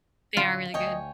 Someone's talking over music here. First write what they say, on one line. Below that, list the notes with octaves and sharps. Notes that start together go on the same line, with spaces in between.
They are really good.
A#1 D3 F#3 F4
D2 C#5 D#5 G5 G#5